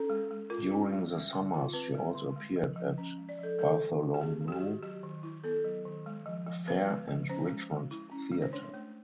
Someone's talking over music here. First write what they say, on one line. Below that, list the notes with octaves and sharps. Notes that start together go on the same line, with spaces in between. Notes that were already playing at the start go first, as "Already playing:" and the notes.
During the summers she also appeared at Bartholomew Fair and Richmond Theatre.
Already playing: C#4 A4
G#3
G#3
F4 A#4
C#4
G#3
G3
D3
F4
C4 B4
G3
D3
G#3
F3
F3
C#4
G#3
D5
F3 A4
G#3 A4
D#3
D#3
G4
C4 G#4
G#3
F#4
G4
D#3
F#3 G4
D#3
E4
B3 A4
F#3
D#3
G#3
F3
F3
B3 B4
G#3
F3
C#4 C5
G#3
G#3
E4
C#4
G#3
C5
D4 C#5
A3